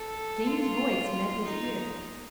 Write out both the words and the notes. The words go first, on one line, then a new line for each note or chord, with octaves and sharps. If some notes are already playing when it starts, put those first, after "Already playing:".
Jane's voice met his ear.
Already playing: A4
F4
D#4